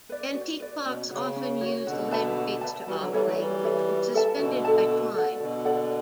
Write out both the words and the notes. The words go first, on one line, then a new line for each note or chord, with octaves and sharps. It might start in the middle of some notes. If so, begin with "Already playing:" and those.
Antique clocks often used lead weights to operate, which were suspended by twine.
B4 D5
F#4
B4 D5
B2 C#4
C#3 F#4 C#5
C#4
F#4 C#5
B2 D3 F#4
B4 E5 A5
F#4
B4 E5 A5
E3 G3 F#4
D3 F#3
E3 G3 A4 C#5 E5
F#3 A3
E3 G3 F#4
A4 C#5 E5
F#4
A4 E5 A5
B2 D3 F#4
A4 E5 A5
F#4
A4 D5 F#5
B2 D3 F#4
A4 D5 F#5